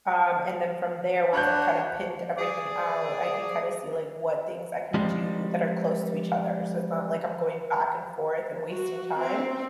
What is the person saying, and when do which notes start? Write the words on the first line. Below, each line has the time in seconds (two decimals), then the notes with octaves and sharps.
um, and then from there, once I've kind of pinned everything out, I can kinda see, like, what things I can do that are close to each other, so it's not like I'm going back and forth and wasting time.
1.33 D4 F#4 C#5 B5 F#6 G6
2.37 G#4 D5
4.94 F3 G3 G#3 C4
8.73 F#4
9.19 C4